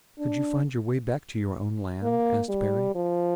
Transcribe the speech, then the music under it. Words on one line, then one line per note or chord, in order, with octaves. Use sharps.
"Could you find your way back to your own land?" asked Perry.
D4
A#3
G3
F3